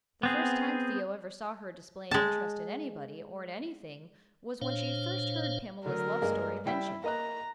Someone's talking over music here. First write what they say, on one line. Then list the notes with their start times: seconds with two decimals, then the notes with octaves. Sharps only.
The first time Theo ever saw her display an interest in anybody, or in anything, was when she first heard Pamela's love-story mentioned.
0.23 B3 C4 G#4
2.11 G#3 A5
4.61 A#2 D4 C5 C#5 F5
5.86 D3 F#3 A3 A#4
6.22 G2 G#3 A#3
6.66 G3 E4 G5 B6
7.04 A#3 D#5 A#5 F#6